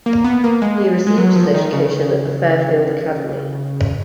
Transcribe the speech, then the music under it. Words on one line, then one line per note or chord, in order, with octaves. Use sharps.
He received his education at the Fairfield Academy.
A#3
B3
A#3
G#3
G#3
F#3
F3
D#3
C#3